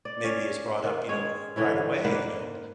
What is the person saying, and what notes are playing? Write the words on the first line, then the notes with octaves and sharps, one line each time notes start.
maybe is brought up, you know, right away, you know?
D5
C#4
D#3
G#3 C#4 C#5
D3 E3 C#4 E4
G#2 A#3 B4 F#5